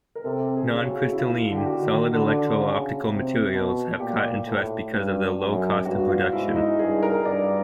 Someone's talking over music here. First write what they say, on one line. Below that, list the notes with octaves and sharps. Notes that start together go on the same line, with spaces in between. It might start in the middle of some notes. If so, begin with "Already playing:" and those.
Non-crystalline, solid electro-optical materials have caught interest because of their low cost of production.
A#4
C3 A4
G#4
C#3
F#4
E4
F4
D3
G4
F#4
D#3
D3
C#3
C3
B2
A#2 G4
A2
G2
F#2
G2 F#4
F4
G#2 E4
E4
D#4
G2 G#4
A#4
G2 D5